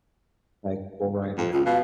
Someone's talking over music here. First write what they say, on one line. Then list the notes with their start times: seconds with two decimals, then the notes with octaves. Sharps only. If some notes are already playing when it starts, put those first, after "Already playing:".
like, bull rider.
1.37 F2
1.53 C#2 F4
1.66 B2 F5